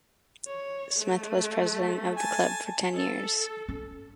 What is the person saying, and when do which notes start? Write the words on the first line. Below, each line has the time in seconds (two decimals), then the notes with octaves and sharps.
Smith was president of the club for ten years.
0.47 C#5
1.00 A3
2.17 G#5 A5
2.94 A4
3.69 C#4